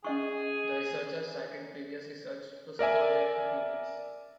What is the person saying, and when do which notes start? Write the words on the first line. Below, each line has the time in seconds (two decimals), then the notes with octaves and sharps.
The researchers cited previous research to support their conclusions.
0.04 C#4 G#4 D#5 C#6
2.79 A#4 D5 E5 G#5